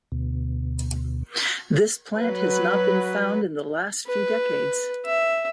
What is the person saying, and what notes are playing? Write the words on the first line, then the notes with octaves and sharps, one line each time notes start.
This plant has not been found in the last few decades.
D2 B2
F#3 B4
B4
E5